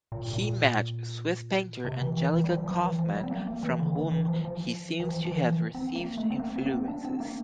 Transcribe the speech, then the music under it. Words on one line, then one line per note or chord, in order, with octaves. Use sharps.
He met Swiss painter Angelica Kauffman, from whom he seems to have received influences.
A#2
A#2
C3
E3
E3
E3
G3
F3
F3
E3
F3
G3
C4
A#3
A#3
E3
D3
E3
E3
F3
F3
E3
F3
F3
E3
C4
A#3
A3
C4
A#3
C4
A#3
C4
D4
C4
A#3